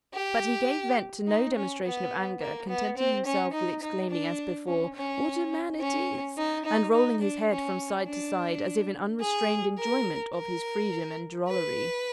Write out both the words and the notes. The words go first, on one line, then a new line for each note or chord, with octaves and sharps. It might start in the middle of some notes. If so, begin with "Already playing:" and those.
But he gave vent to no demonstration of anger, contenting himself with exclaiming as before, 'What a man it is!' and rolling his head from side to side, as if in unrestrained enjoyment of his freedom and drollery.
G4
D#4
C#4
B3
A#3
B3
C4
C#4
D#4
D#4
D4
C#4
C#4
C#4
D#4
D#4
D#4
D4
C#4
D4
G#4
A#4
A#4
B4